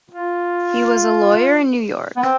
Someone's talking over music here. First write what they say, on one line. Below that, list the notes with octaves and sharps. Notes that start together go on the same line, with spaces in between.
He was a lawyer in New York.
F4
B3
C4